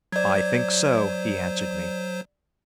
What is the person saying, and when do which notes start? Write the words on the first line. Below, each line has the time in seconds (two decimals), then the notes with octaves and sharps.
"I think so," he answered me.
0.12 F#3 C5 D5 G#6